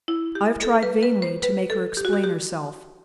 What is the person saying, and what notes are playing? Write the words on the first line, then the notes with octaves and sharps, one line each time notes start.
I have tried vainly to make her explain herself.
E4
G4
A4
B4
B4
C5
B4
A4
G4
F#4
G4
G4